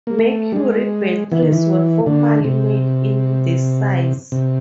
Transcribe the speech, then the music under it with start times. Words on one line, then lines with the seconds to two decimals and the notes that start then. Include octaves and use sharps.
Mercury batteries were formerly made in this size.
0.07 A#3
0.19 A3
0.52 G3
0.56 G#3
1.32 E3
1.43 D#3
1.52 E3
2.06 D3
2.44 C3
4.32 C3